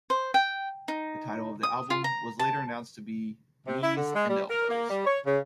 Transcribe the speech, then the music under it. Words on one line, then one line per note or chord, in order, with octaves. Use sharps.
The title of the album was later announced to be "Knees and Elbows".
C5
G5
D#4
D#6
F4
A#5
A5
C3
E4
D3
G#3
G3
A#4
A#3
G3
C#5
C#3